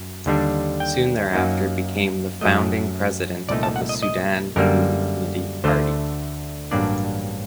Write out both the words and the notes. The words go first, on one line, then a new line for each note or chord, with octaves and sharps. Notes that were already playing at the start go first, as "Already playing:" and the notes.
Soon thereafter became the founding president of the Sudan Unity Party.
Already playing: F#2
D#2 D3 G3 D4
G5
F#2 F#3 A#3 D#4
F#2 F#3 A3 D#5
C2 A#2 A3 D#4 D5
A5
F#5
D#5
D#5
F#2 D3 G3 A#3 A#4
D2 D3 A3 C5
A1 G2 F#3 A#3 D4 D5